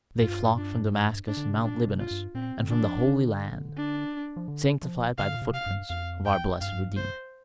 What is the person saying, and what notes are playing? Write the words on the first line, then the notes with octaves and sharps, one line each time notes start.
They flocked from Damascus and Mount Libanus and from the Holy Land, sanctified by the footprints of our blessed Redeemer.
G2 F4
D4
D4
D3
C3
A#2 D4
C3
F4
G2
A#2 C4
D3
D4
F3
D3
D4
F3
D3
F3
D3 F5
A#2
C3
F5
G2
F2 F5
G5
G2 F5
C5